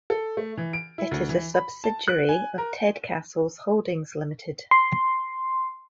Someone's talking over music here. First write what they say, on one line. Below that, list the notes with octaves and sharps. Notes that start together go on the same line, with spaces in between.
It is a subsidiary of Tedcastles Holdings Limited.
A4
A3
E3
D7
E4
D2
E3
B5
A5
F#6
G#5
A#4
C6